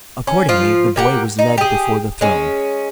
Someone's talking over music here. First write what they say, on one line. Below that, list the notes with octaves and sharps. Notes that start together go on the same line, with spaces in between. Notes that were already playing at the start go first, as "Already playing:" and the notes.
Accordingly, the boy was led before the throne.
C#4
F3 F4
A#3 G4 F#5
D#4
G4 G#4
G#3 C#4